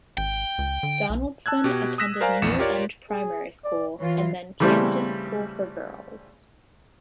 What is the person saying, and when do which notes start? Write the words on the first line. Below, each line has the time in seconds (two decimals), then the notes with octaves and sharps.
Donaldson attended New End Primary School and then Camden School for Girls.
0.18 G#1 G5
0.58 C#2
0.83 D3
1.10 B1
1.46 A5 E6 F#6 G#6
1.64 B2 G4
1.98 D#6 E6 F#6 A#6 B6 E7
2.21 A#4 C5 D5 F5 G#5 A#5
2.42 A#1 E2 C#7 E7
2.59 F4 G4 A#4 C#5 D5
3.10 G#4
3.65 D5
4.00 E3 F4 C#5
4.60 C#3 E3 G3 A3 C4